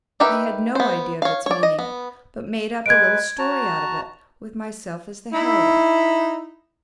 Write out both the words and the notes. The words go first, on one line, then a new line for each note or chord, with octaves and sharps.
I had no idea of its meaning, but made up a little story out of it, with myself as the heroine.
D#4 G4 A#4 B4 E5
B3 C5
C#5 F5
C#5 D5
D#5
B3
G#3 B4 G#6 D7
F#4 A5 A#5
D#4 E4